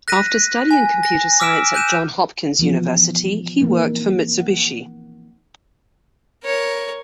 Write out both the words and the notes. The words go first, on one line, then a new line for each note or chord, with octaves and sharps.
After studying computer science at Johns Hopkins University, he worked for Mitsubishi.
F#6 A#6 B6 D#7
G#5
A#6
D6 E6 F6 B6 D7 E7
F#6 G6 D#7 E7
E3 F3 B3 F4
E3 A#3 C4 D#4
F#5
A#4 C#5